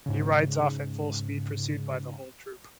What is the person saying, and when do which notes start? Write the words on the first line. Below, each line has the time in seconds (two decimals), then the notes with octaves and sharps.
He rides off at full speed pursued by the whole troop.
0.06 G#2 C#3